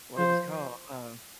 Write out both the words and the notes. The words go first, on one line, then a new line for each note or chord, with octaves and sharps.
what it was called. Uh,
F3 C5